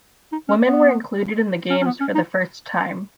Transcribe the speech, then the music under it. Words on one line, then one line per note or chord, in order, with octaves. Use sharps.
Women were included in the games for the first time.
D#4
C#4
B3
C#4
C#4
B3
C#4
D#4